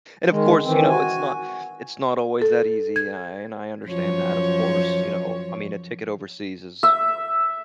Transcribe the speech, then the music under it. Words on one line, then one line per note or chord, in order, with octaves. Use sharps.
And of course, you know, it's not it's not always that easy, and I and I understand that, of course, you know? I mean, a ticket overseas is
D#3 G#3
D#3 E3 C4
F#4 G#5
A4
G#6
F#2 F3 C#5
E5